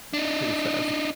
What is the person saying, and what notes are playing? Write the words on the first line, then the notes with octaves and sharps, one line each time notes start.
Pretty fast.
D4 D#4